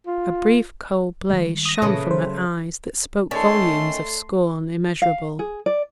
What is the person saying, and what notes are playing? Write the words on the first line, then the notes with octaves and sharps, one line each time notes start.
A brief cold blaze shone from her eyes that spoke volumes of scorn immeasurable.
F4
D#3 G3 G#3
D#6 A#6
A#2 C#3 E3 A3 B4
F#3 C5
D#3 A3 C#4 A4 C#5 D5 C6
F5
G#4
D5